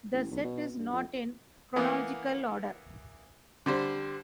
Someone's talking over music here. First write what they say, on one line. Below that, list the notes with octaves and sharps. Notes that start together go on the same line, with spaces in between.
The set is not in chronological order.
A1
B1
B2
G2
F2
E3 A#3 B3
D3 G3 C5